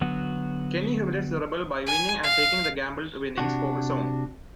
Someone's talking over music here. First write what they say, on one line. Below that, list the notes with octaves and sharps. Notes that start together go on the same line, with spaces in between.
Kenny humiliates the Rebel by winning and taking the gambled winnings for his own.
D3 F#3 B3 F#4
G#5
F5
C3 D4 F#4